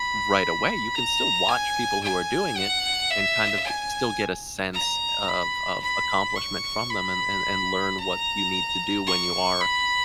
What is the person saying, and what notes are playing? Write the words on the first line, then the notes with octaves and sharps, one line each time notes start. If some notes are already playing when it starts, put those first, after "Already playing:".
right away, you can still watch people who are doing it and kind of g still get a sense o of of accomplishment from them and and and learn what you need to do when you are
Already playing: B5
A#5
G#5
G#5
F#5
E5
G#5
A#5
B5
B5
C#6
B5
A#5
C#6
B5